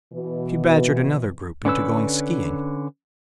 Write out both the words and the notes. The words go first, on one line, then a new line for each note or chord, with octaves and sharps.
She badgered another group into going skiing.
B2 E3
D3 C#4 B4 E6